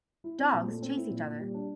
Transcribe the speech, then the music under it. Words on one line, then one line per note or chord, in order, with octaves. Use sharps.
Dogs chase each other.
E4
C4
A#2
A3
C4
E4
A#2
A#2
G3
D4